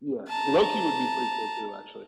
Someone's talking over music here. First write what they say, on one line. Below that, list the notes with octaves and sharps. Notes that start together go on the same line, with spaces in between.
Yeah, Loki would be pretty cool too, actually.
A5 A#5